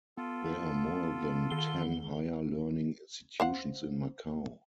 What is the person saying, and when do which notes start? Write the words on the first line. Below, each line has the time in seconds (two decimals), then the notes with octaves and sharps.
There are more than ten higher-learning institutions in Macau.
0.17 B3 F4 A4
1.51 D#3 G7
3.40 C5 F5 F#5